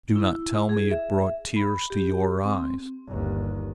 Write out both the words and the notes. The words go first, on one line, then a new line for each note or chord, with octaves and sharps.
Do not tell me it brought tears to your eyes.
E4
G#4
E5
B5
G4
C4
G1 D#2